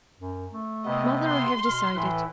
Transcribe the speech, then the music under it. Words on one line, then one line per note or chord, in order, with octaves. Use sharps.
Mother, I have decided!
F#2
A3
C3 B3 D#5
C6
B2 F6
A2 E3 E4 B4